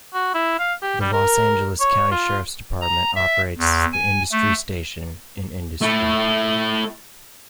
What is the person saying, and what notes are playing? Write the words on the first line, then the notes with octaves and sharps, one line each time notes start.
The Los Angeles County Sheriff's Department operates the Industry Station in Industry.
F#4
E4
F5
G4
G3
A#4
C#5
F4
A#5
E5
E2
G#5
A3
A3 E4